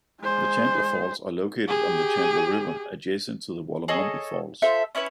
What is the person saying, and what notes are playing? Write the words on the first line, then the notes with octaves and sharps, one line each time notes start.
The Chandler Falls are located on the Chandler River, adjacent to the Wollomombi Falls.
G#3 C5
G4 G#4
G#4 A4 C#5 D#5
F4 A4 C5 E5
C#4 E4 B4 C#5